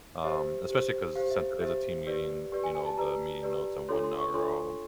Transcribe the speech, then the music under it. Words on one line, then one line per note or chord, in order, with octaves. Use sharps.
Um, especially 'cause since it is a team meeting, you know, the meeting notes and whatnot are all
G4 C5 E5
G4 C5
G4 C5 F5
E5
G4 C5 E5
G4 B4 D5
G4 B4 D5
G#5
G#5
A5
G4 B4 D5 A#5
G4 B4 D5
D4 F4 A4 C#5 C6
C6
C#6
D4 F4 A4 C#5 C6